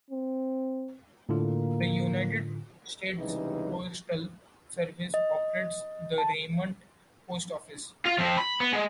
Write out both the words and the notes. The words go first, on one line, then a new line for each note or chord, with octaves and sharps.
The United States Postal Service operates the Raymond Post Office.
C4
A2 D3 A#3 F4
C#2 C3 E3 G3 D#4 G#4
D#5
A5
F4
F3 C4
B5
B3
G#3